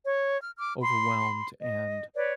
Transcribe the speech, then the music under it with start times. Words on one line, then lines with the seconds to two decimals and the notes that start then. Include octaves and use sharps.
overwhelmed and
0.05 C#5
0.41 F6
0.58 D6 F6
0.81 B5 C6
1.60 D#5
2.15 B4 C#5 D5